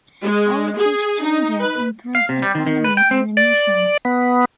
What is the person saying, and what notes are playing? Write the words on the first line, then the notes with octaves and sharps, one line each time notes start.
All of these changes improved economy and emissions.
G#3
G#4
D#4
B4
F5
C3
G3
D#3
D#3
B4
G5
C4
D5
B3